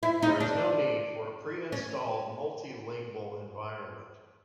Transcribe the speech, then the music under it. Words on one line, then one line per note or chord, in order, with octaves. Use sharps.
There is no need for a pre-installed multi-lingual environment.
E4
D#4
D4
C#4